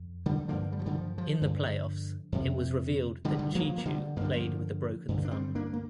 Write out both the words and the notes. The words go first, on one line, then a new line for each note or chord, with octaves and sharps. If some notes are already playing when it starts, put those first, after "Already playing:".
In the playoffs, it was revealed that Cheechoo played with a broken thumb.
Already playing: F2
D3 G3
G2 D3 F3 A#3
G3
F3
D3 G3
F3
F3
G2 D3
F2 C3
G2 D3 F3 G3
D3 G3
F3 A#3
A#3
D3 G3
G2 D3 G3 A#3
F3 A#3
G2 D3
D4
G3 C4
A#3 D4
A#3